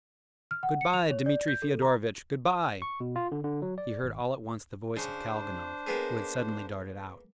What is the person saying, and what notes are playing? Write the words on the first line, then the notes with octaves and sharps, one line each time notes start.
"Good-by, Dmitri Fyodorovitch, good-by!" he heard all at once the voice of Kalganov, who had suddenly darted out.
F6
F#5
C#7
F7
C#5
D5
G6
A4
A#5
C#6
B2
F4
D3
D3
F#3
D5
G#1
C#3 D4 C5
A#3 B3 G#4